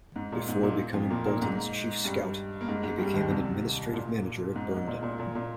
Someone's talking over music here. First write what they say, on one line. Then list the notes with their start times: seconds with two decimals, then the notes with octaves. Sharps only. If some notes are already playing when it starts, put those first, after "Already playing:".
Before becoming Bolton's chief scout, he became an administrative manager at Burnden.
0.16 G#2
0.32 A#2
0.48 G#2
0.63 A#2
0.94 F2 F3
1.10 A#2 A#3
1.26 A#2 A#3
1.41 G#2 G#3
2.05 G2 G3
2.61 A#3
2.68 G#2 G#3
2.83 G#2 G#3
2.98 G2 G3
3.14 D#2 D#3
3.30 C2 C3
3.93 A#2
4.56 G#2
4.77 G#2
4.87 A#2
5.03 A#2
5.20 A#2
5.35 A#2